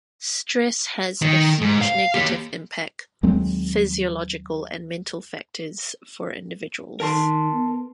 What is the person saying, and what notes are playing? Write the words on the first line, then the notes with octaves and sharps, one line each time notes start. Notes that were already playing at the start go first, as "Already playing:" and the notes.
Stress has a huge negative impact physiological and mental factors for individuals.
D#3
G#2
F5
A#3 G4
D#2 F#3 G#3 C4
D#3 A#4 A5 C6
B3